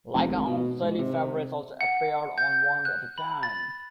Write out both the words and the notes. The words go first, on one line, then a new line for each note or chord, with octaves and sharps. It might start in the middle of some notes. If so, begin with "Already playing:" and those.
Like her aunt, Shelley Fabares also appeared on One Day at a Time.
F1
G#1
B2
G#2
C3
F#5
G6
F#6
B5
A6